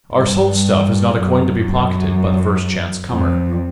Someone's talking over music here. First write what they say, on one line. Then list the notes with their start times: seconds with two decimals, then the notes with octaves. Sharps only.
Our soul stuff is not a coin to be pocketed by the first chance comer.
0.15 G2
1.13 F#2
1.62 F#2
3.09 F2